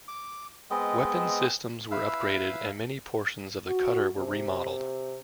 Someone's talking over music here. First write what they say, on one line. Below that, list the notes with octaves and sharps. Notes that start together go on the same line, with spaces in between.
Weapons systems were upgraded and many portions of the cutter were remodeled.
D6
G#3 B3 C4 D#5
E4 B4 F5 E6
F#4
C3